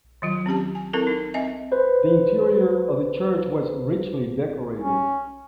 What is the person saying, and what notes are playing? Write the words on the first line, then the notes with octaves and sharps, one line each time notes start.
The interior of the church was richly decorated.
D#3 F#3 F4
C4 C#4 G4 A5
G#5
C4 E4 A4 A#4
D#4
C4 D#5 E5 G#5
B4 C5
C#4